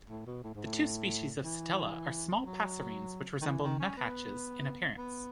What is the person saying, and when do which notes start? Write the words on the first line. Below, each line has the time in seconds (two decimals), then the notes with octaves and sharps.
The two species of sittella are small passerines which resemble nuthatches in appearance.
0.10 A2
0.27 B2
0.44 A2
0.55 G#2
0.65 A2
1.44 E3
2.45 F#3
3.42 D#3
3.46 E3
3.64 D#3
3.80 C#4
3.97 B3
4.97 B3